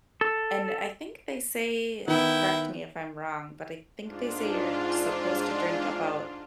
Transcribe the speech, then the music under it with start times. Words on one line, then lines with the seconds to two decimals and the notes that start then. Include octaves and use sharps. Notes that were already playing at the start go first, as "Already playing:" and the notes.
And I think they say- correct me if I'm wrong- but I think they say you're supposed to drink about
0.21 A4
2.08 D#3 B3 E4 G5
4.01 G#2 D4 F4